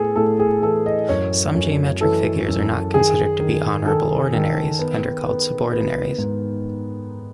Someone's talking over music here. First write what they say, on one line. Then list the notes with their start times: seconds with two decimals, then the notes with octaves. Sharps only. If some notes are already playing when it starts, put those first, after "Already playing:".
Some geometric figures are not considered to be "honourable ordinaries" and are called "subordinaries".
Already playing: A2 B3 G#4 A4
0.16 A2 A4
0.40 G#4
0.62 E3 A4
0.86 D#5
1.09 F#2 C#5
1.55 F#2
2.01 E3 A4
2.48 F#2
2.94 D#3 G#4
3.40 D#3
3.86 D#3 A4
4.33 D#3
4.79 B3
5.25 B3
5.72 B3
6.18 G#2